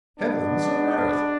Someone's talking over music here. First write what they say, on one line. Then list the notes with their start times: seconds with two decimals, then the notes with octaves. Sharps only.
Heavens and earth!
0.18 B2 G#3 B3 D4